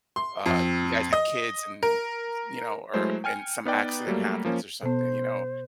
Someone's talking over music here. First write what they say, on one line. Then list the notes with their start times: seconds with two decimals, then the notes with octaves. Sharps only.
uh, you guys have kids, and, s you know, or and some accident happens, or something, you know.
0.16 C6
0.46 F2
1.13 D#5
1.83 A#4
2.94 F#3 G#3 A3 E4 C5
3.24 G5 G#5 F6 C#7
3.65 B3 D#4 B4 D5 G5
4.07 F#3 G3 A3 A#3
4.45 F3 A#3 C#4
4.83 B2 B3 C5